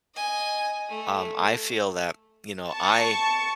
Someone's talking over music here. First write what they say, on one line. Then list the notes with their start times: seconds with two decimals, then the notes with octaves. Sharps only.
Um, I feel that, you know, I
0.15 D#5 G#5
0.90 A3
2.70 A5 C#6